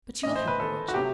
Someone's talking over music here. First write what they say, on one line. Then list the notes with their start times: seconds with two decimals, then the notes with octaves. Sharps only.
But you'll help me, won't you?
0.23 A2 E3 A3 D#5
0.36 C5
0.48 B4
0.60 A4
0.88 F#4
0.94 C3 F#3 A3 G4